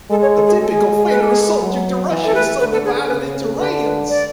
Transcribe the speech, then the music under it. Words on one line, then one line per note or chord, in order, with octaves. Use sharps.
A typical federal subject of Russia is subdivided into raions.
G#3 A4
C#5
A4
G#4
G#3 A4
G#4
G#4
B4
A4
G#4
A4
F#3
E3
A4
B4
D3 B4
A4
G#4
A4
C#3 B4
G#4
A4
D3 B4
B4
D5